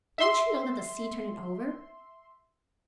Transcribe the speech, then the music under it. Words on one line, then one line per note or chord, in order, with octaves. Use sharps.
"Don't you know that the sea turned it over?"
E5 C6